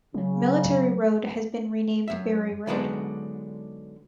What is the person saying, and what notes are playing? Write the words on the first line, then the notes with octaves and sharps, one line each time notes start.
Military Road has been renamed Barry Road.
C#3 F#3
F#2 E5
D3 F#3 G#3 B3 D4 D#4